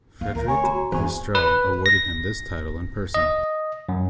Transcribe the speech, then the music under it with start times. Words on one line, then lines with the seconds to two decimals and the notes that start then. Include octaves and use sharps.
Frédéric Mistral awarded him this title in person.
0.21 A#3 F5
0.35 D2 A#4
0.48 C#5 G#5
0.63 F#4 A#5
0.92 E2 C5 G#5 C#6
1.35 B4
1.86 A#6
3.14 D#5
3.89 F#2